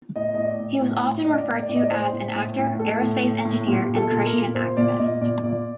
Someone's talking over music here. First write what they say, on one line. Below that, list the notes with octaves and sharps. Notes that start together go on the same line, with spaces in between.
He was often referred to as an "actor, aerospace engineer, and Christian activist".
A2 D#5
A2 D#5
D5
A2
A2
A2
A2 D#5
D5
A2
D5
A2
D#5
D5
A2 C5
A2
A2
A2
A2 A4
A2
A2
A2
A#2 G4
A#2
A4
A#2
A#4
A#2
A#2 C5
A#2 D5
A#2 D#5
A#2 D5
A#2 D5